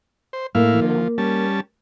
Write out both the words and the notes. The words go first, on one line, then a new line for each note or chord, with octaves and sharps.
You know?
C5
A2 A#3 E4 F5
F3
G3 C#4 A5